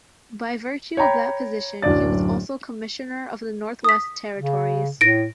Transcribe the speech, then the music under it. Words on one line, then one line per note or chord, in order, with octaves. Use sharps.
By virtue of that position he was also Commissioner of the Northwest Territories.
C#5 G5 A#5 B5
D1 F#2 D4 D5 A6
D#6 B6
C#3
A2 A#6 D7